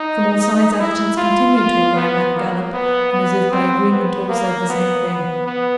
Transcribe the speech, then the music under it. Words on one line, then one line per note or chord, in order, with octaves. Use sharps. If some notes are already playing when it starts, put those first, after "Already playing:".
From all sides adjutants continued to arrive at a gallop and as if by agreement all said the same thing.
Already playing: D#4
E4
F4
F4
B3
A#3
B3
B3
C4
B3
A#3
B3
B3
B3